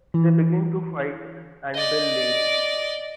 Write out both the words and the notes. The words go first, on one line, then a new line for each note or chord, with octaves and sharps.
They begin to fight and Bill leaves.
E3
D5 D#5